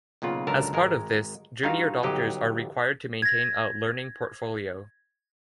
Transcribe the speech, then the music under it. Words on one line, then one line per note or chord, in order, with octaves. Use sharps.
As part of this junior doctors are required to maintain a "learning portfolio".
B1 A#2 C#3 F4 F#5
C#2 D3 F#3 A#4 A5
G#1 G#3 A#4
G2 D#4 F4 F#4 F5
G1 F#3 D#4 G4 D#5
G#6 A#6